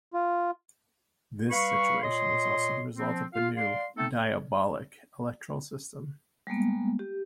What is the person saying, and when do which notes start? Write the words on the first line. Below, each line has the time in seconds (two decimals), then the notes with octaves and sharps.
This situation was also the result of the new "diabolic" electoral system.
0.14 F4
1.50 G3 B4 F5 B5 C#6
2.02 A#2 C#5 D#5 C6
2.96 F3 C4
3.33 F4 F5
3.56 D5 F5 C6
3.97 A3 B3 C4 D#4 A4
6.47 G3 G#3 A#3 B3
6.99 G4